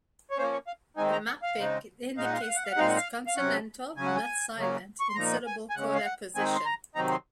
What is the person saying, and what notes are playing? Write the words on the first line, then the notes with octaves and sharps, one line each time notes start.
The "mappiq" indicates that is consonantal, not silent, in syllable-coda position.
C#5
F3 A#3 C#4 C5
C#5
F5
D#3 G#3 C4 D#4 G#5
A#5
F#5
F5
C#3 G#3 C4 D#4
A#2 G#3 D#4 F5
F#5
F5
F#5
F5
F#5
F5
F#5
A#2 G#3 C4 D#4 F5
F#5
F5
F5
C3 F#3 C#4 F#5
C#3 F#3 C#4 G#5
F#5
G#5
C#3 F#3 A#3 C#4
C#6
C6
A#2 F3 A#3 D#4 A#5
G#5
G#5
C#3 G#3 C#4 F#5
F5
F#5
D#3 G#3 C4 D#4 G#5
C6
A#5
C3 D#3 F#3 C4 D#4 A#5
C6